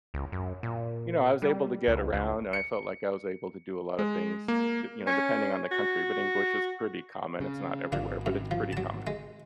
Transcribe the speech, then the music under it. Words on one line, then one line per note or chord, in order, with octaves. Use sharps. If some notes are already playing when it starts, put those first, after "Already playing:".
you know, I was able to get around, and I felt like I was able to do a lot of things, y you know, depending on the country, but English is pretty common- it's not everywhere, but it's pretty common.
C#2
F#2
A#2
G3
C#2
C#2
C#7
G#3
A#3
C#4
F#4
C#3
G#1 A#3 D4
F#2
F3
F#3 A5
G#3